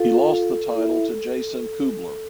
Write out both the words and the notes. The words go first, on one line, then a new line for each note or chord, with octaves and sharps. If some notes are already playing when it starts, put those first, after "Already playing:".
He lost the title to Jason Kubler.
Already playing: F4 A4
E4